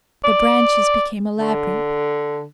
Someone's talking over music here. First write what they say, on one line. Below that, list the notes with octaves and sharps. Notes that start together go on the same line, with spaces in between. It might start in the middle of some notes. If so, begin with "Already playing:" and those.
The branches became a labyrinth.
D5
D3